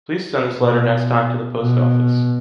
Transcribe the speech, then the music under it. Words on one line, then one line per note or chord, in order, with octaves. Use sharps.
Please send this letter next time to the post office.
B2
B2